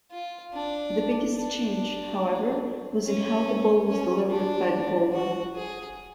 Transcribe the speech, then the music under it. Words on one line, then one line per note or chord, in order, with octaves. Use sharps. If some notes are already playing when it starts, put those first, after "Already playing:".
The biggest change, however, was in how the ball was delivered by the bowler.
F4
D4
D4
C#4
C#4
D4
F#4
G#4